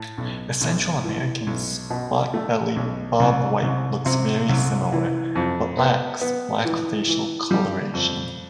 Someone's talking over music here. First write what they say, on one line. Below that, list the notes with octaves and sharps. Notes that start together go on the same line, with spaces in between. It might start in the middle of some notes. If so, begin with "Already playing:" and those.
The Central American spot-bellied bobwhite looks very similar, but lacks black facial coloration.
Already playing: A2
B1
B1
E3
B1
B2
A3
B1
C2
C2
C3
C2
E3
F2
B3
B3
E3
E3
G3
F2